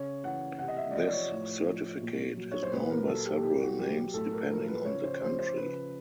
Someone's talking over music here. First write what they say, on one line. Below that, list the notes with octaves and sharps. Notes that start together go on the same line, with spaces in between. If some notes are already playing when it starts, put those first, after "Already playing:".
This certificate is known by several names depending on the country.
Already playing: C#3 C#5
E3 F#5
C3 F#5
D#5
E5
D5
F3 D#5
D5
C#5
A2
F3
A#2
F#3
C#5
C5
A#2 B4
A#4
F#3 A4
G4
B2 G4
F#4
F#3 G4
G4
A2 A4
A#4
F3 A#4
B4
C#3 C#5
C5
F3 C5
C5
C#3 B4